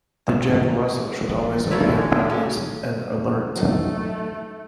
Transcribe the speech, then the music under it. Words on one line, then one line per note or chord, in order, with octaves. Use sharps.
The Jack Russell should always appear balanced and alert.
D#1 A#1 D5
F#3 A3 E4 F4 A4
G#3 C#4 D4 C#5
C#3 F#4
F#3 A3 D#4